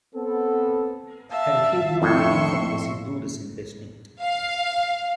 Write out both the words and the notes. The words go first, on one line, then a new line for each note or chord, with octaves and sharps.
Her Hebrew reading from the siddur is indistinct.
B3 C4 A4
E5 F5 A5
F2 A2 E5 C6 C#6
F5